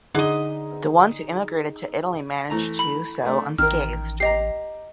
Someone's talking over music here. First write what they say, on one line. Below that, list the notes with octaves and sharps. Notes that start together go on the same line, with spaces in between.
The ones who emigrated to Italy managed to so unscathed.
D3 D#4 G#4 D#5
E3 A3 A#5
B5
A3 D4
A1 D#3 A#4 F6
G4 D#5 A#5 C7